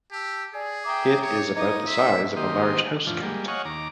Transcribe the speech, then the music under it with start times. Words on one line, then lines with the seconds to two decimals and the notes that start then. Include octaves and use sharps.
It is about the size of a large housecat.
0.12 G4 A5 E6
0.54 G#4 D5 G#5
0.85 E5 G5 A#5 D6 D#6
1.22 C#5
1.55 D#4 C#5 D#5 D6 D#6
1.87 E5 C6
2.36 D#3 A#3 G4 D#5 C6
3.07 F2 A2 D3 E3 F3
3.23 G3 G#3 A#3
3.48 C#5 D#5 F5 F#5 G#5 C#6
3.65 D#2 A#5 D6